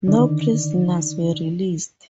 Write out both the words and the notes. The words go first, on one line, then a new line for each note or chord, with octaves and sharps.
No prisoners were released.
D3 D#3 D#4 D5